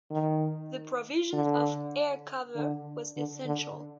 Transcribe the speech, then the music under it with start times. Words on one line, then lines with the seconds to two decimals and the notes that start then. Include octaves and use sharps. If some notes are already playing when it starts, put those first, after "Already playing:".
The provision of air cover was essential.
0.11 D#3
1.33 D3
2.55 D3
3.16 D3
3.46 D3